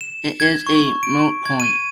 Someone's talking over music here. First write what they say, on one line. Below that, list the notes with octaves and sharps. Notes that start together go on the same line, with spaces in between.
It is a moot point.
E7
G#6
C#6
D7
G#6
D#7